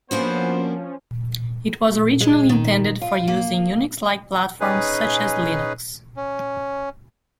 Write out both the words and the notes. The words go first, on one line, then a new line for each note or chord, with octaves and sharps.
It was originally intended for use in Unix-like platforms such as Linux.
F3 A#3 B3 C#4 D4 F#4 C5
G#3
D#3
F4
A#3
C#4 D#4 G#4 B4
C#4